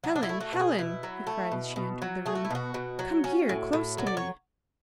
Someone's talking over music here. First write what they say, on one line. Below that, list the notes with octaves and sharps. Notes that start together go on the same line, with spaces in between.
"Helen, Helen!" he cried as she entered the room, "come here, close to me."
F#3 D4
D4
E4
A3
F#4
B2
G#4
B2 E4
F#3
A3
B2
B2
F#3
A3 G#4
F#4
E4
B2 F#4
B2
F#3
C#4
A2
A2
F#3
D5
C#5